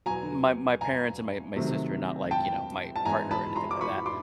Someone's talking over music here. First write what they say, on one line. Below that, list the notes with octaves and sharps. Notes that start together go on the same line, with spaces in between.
my my parents and my my sister, not like, you know, my partner or anything like that,
E2 B2 F#3 G#5 A#5
G#5 A#5
C3 D#3 F#3 A3
G5 A5
A5
G#2 E3 G#3 B3 E4 G#5 A#5
A5 B5
A#5 C6
D6
B5 C#6
C6 D6